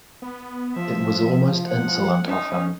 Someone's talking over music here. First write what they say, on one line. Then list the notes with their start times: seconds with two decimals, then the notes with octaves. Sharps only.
It was almost insolent of him.
0.22 B3
0.76 F3 E5
1.69 F#5
2.28 C#4 D#4